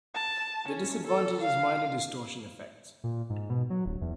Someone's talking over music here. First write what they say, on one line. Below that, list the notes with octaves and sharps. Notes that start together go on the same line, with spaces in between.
The disadvantage is minor distortion effects.
A5
C#4
A4
F5
A#2
G#2
B2
F#3
D1
E2